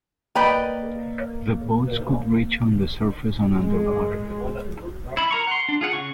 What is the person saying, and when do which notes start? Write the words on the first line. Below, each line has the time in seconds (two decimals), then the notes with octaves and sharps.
The boats could reach on the surface and underwater.
0.35 A#3 B4 D5 D#5 G5 A#5 B5
3.56 G#3
5.17 E4 B5
5.31 A#4 A#5 C#6
5.47 F#5 C6
5.69 D4
5.81 F4 G#4 F#5
5.93 C#3 C#6